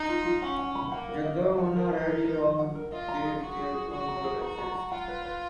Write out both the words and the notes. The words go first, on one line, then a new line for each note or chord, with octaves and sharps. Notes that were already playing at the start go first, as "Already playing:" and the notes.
Jaganmohan Reddy all gave their condolences.
Already playing: D#4
F4
F4
C#4 F#5
F#5
B5
A#3 F#5
A#4
D#5
D#5
F#5
A#4
D#4 D#5
A#4
A#4
D#5
F#5
A#4
F4 D#5
A#5
G#4
F#4 G#4
G#4
G#4
F#4 G#4
A#5
G#4
F#4 A#5
A#5
A#5
F4 F#5
B4
B4